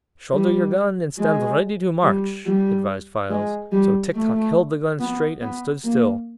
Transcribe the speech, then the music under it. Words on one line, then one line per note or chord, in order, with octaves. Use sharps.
"Shoulder your gun and stand ready to march," advised Files; so Tik-Tok held the gun straight and stood still.
G3
G#3
G3
G3
G#3
G3
A3
B3
B3
A#3